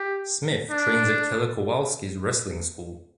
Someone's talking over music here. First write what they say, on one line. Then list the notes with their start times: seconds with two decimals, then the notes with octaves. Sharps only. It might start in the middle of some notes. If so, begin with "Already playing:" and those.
Smith trains at Killer Kowalski’s wrestling school.
Already playing: G4
0.70 D4